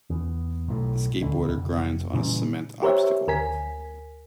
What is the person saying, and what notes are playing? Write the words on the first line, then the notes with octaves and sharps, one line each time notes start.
A skateboarder grinds on a cement obstacle.
E2
B1 A2
D#1 C#2 D3
F1
A#2 C#3 E3 G3
G4 A#4 C5 C#5 E5
D2 A#4 G#5 B6